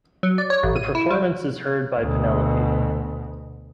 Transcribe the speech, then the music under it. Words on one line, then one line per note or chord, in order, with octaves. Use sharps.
The performance is heard by Penelope.
F#3
D5
C#5
A1
D#7
E4
G3
D2 B2